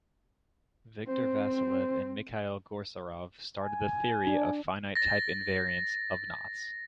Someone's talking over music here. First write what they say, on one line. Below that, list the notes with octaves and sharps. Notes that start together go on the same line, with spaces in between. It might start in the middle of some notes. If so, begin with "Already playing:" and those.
Viktor Vassiliev and Mikhail Goussarov started the theory of finite type invariants of knots.
C4 C5
G#5
D4
A6 A#6